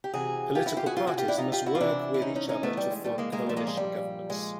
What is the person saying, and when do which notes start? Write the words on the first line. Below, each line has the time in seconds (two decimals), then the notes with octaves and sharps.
Political parties must work with each other to form coalition governments.
0.04 G4
0.14 C3 E3 F#4 G#4
0.55 F4 G4
0.66 E4 F#4
0.77 F4 G4
0.86 F#4 G#4
0.97 F4 G4
1.07 F#4 G#4
1.17 F4 G4
1.28 D4 E4
1.38 D#4 F4
1.52 F4 G4
1.66 E4 F#4
1.75 F4
1.80 C3 E3 D4 E4
2.14 E4
2.22 C#4 D#4
2.36 C#4 D#4
2.49 C#4 D#4
2.63 A3 B3
2.77 G3
2.91 G#3
3.04 G3 A3
3.18 G#3 A#3
3.32 G#3 A#3
3.46 A#2 F3 A3
3.57 G#3 A#3
3.67 G#3
3.77 G3
4.30 G#3